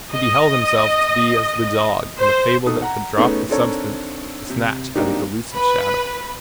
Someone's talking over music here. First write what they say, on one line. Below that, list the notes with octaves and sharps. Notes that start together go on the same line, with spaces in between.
He beheld himself to be as the dog in the fable that had dropped the substance to snatch at a delusive shadow.
D#5
C5
B2 D#4 A4 D#6
F#5 A#5
A3 B3 C#4 D#4 G#4
C4 D4 D#4 A4 A#4 C#5
C3
F#3 A#3 C4 D4 D#4 G4
B4